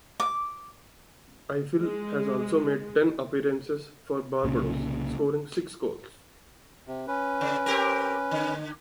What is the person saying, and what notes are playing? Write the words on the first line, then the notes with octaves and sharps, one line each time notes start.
Ifill has also made ten appearances for Barbados, scoring six goals.
D6
G#3
C2 A#2 C#3
C3
C#4 B4
C#3
C4 G4 A#4
D3